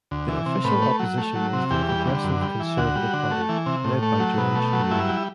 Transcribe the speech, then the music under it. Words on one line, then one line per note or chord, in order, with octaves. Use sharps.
The Official Opposition was the Progressive Conservative Party, led by George Drew.
D2
E3
C3
A2 B4
A3
F#3
A3
F#3
C3
E2 G4
G3
D3
F#2
G3
E3
D2 F#4
G3
D3
A3
E3
C3
A2
A3
F#3
B2
A3
F#3
G2 E4
G3